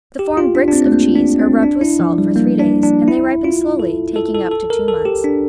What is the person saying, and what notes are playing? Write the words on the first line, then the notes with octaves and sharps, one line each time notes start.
The formed "bricks" of cheese are rubbed with salt for three days and they ripen slowly, taking up to two months.
G4
F4
D4
D4
C4
A3
A#3
D4
C4
D4
E4
F3
G3
A#3
D4
D4
E4
F4
A4
A4
A4
A4
A#4
A4
G4
D4